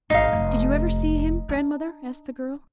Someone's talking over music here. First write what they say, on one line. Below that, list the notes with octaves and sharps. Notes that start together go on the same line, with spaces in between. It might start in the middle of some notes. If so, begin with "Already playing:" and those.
"Did you ever see him, grandmother?" asked the girl.
G#1 D#4 F5
F1
D4